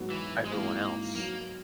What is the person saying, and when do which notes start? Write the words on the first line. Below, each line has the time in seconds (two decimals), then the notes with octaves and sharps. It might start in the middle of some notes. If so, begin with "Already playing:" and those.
everyone else?
Already playing: G#2 F#3 B3 F#4
0.11 E3
0.46 G#3
0.52 G#1 G#2 E3 A#3
1.15 F#3 A#3 B3